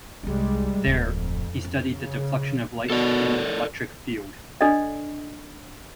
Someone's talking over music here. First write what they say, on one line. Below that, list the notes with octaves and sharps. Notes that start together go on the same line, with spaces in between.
There he studied the deflection of light in an electric field.
C2 G3 G#3 D#4
D1 F2
C#4
C#3
B2 A4 A#4 D5
D4 A4 D5 D#5